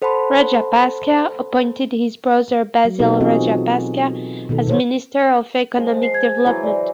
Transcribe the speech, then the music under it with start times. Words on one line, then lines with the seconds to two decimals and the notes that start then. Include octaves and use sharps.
Rajapaksa appointed his brother Basil Rajapaksa as minister of Economic Development.
0.02 A4 C5 F#5 A5 B5 C6
2.85 F#3
2.99 B2 B3 D#4 F#4 G4 A4
3.20 E3 B3 C4 F4 G#4 D#5
3.46 F4
4.49 B2 D#3 B3 A4
4.67 A#2 E3 C5 C#5
5.77 F3 G#3
6.03 C7
6.14 G#6
6.46 E3 F#3 C5
6.63 D5